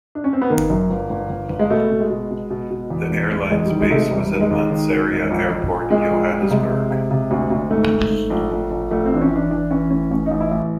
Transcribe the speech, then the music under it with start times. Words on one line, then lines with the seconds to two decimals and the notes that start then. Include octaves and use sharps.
The airline's base was at Lanseria Airport, Johannesburg.
0.15 D4
0.24 C#4
0.33 C4
0.42 B3
0.50 D#3 A#3
0.70 F#2
0.90 G1
1.10 G1
1.30 G1
1.50 G1
1.59 G#3
1.70 B2 A3
1.90 B2
2.00 G#3
2.10 B2
2.30 B2
2.50 B2
2.70 B2
2.90 E2
3.10 E1
3.31 E1
3.50 E2 G#3
3.65 D#3 G3
3.81 G#3
3.90 C3 A3
3.95 G#3
4.10 E1 G3
4.31 D#2
4.40 G#3
4.51 D#2
4.70 D#3
4.90 D#3
5.10 E1
5.31 A#1
5.50 A#1
5.71 A#2
5.90 A#2 G#3
6.10 A#1
6.31 A#1
6.42 G3
6.50 C3 G#3
6.70 C3
6.90 C3
7.11 C3
7.31 D2
7.50 D2
7.71 G#2 A3
7.91 G#2
8.11 G#2
8.30 A#1
8.51 A#1
8.70 A#1
8.91 A#1 A3
9.06 C4
9.11 E3 D4
9.21 C#4
9.31 E3 D4
9.51 E3 D4
9.71 E3 C#4
9.91 A2 C#4
10.11 A1 C#4
10.26 A1 D#4
10.40 E4
10.51 A1